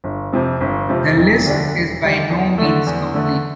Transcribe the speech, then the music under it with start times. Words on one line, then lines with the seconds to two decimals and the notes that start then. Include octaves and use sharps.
The list is by no means complete.
0.04 G1
0.32 F2 C3 F3
0.61 G1
0.89 F2 C3 F3
1.16 E1
1.45 D2 D3 G3 D4
1.73 E1
2.02 D2 D3 G3 D4
2.30 E2
2.58 D3 A3
2.87 E2
3.14 D3 A3